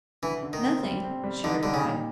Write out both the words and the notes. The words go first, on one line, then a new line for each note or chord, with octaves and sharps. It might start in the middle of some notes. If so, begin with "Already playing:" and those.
"Nothing," she replied.
D3 E3
D3
D#3
C4
G3
C4
G3
D3 D#4
D3 G3
C#3
A#2